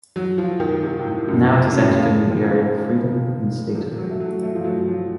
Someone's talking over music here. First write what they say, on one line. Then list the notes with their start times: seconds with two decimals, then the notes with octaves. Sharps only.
Now it has entered a new era of freedom and statehood.
0.16 F#3
0.38 F3
0.60 D#3
0.83 C3
1.06 A2
1.28 F#2
1.51 F2
1.72 F#2
1.95 C#3
2.22 F3
2.31 D#3
2.40 C#3
3.75 C3
3.98 F#3
4.11 A3
4.20 F#3
4.43 A3
4.55 F3
4.64 F#3
4.88 F3